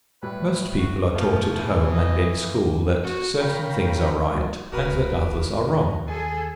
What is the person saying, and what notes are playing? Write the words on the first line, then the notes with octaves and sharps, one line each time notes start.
Most people are taught at home and in school that certain things are right and that others are wrong.
A2 G3 B4
F#4
D#1 B2 F3 A3 A#3
E3
D#5
A#3
F#4
A#4 C#5 F5 G5 A#5 B5
F3 G3 A#3 D#4 F#4
D1 C#2 F#4 A#4 B4
D#2
G#4 A4 G#5